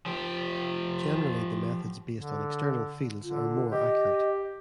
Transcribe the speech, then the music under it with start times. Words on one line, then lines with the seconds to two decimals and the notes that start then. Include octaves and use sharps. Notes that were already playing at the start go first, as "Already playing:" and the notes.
Generally the methods based on external fields are more accurate.
0.06 F3 G4
2.14 D3
3.23 D3 F4
3.71 G4 D#5